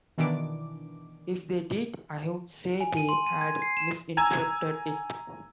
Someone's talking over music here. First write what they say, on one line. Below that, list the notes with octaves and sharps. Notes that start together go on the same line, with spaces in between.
If they did I would say they had misinterpreted it.
B2 D#3 E3 D4 D6
G#5
D#7
C6
D#7
G#6
C7
E7
G#5 A#5 E6 G#6